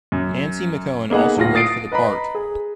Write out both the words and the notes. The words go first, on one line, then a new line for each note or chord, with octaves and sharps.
Nancy McKeon also read for the part.
F#2
A#3 B3 D#4 G#4 B4 F#5
D1 A2 F4 A#6
D#6 A6 C7 D7
B4 D#5 A#5 B5
G#4